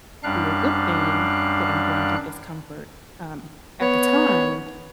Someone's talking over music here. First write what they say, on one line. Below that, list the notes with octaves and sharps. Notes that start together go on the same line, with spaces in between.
be a good thing that I'm going through discomfort, um, at the time
F#2 G3 D4 F5 F#6
B3 C#5